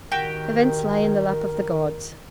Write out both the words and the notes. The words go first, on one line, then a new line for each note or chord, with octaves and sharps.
Events lay in the lap of the gods.
D#3 F#4 G4 A#4 G5